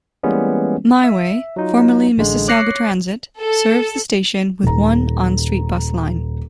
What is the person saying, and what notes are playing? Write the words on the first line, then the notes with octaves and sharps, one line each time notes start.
MiWay, formerly Mississauga Transit, serves the station with one on-street bus line.
E3 G3 G#3 A#3 B3 C#4
E5
F#3 D#4 F4
A1 D3 G#3
C#5 D6 F#6 A#6 C7 C#7
A4
D#1 A#5